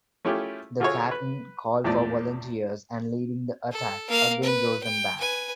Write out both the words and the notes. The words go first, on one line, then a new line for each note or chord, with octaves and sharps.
The captain called for volunteers, and leading the attack, again drove them back.
A3 C#4 E4 F4 G4 G#4
D3 F4 F#4 G#4 A4 C#5
B4
E2 A2 F3 D5
A4
A#3 F5
B4
G5
B4 G#5